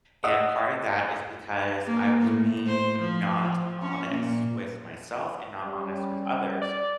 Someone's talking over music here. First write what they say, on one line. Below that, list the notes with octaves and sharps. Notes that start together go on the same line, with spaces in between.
and part of that is because I was being not honest with myself and not honest with others,
D#5 F#5 D#6 E6
A#3
A2
C5
F3
F3
C#4
A#2
G3 C#4
D5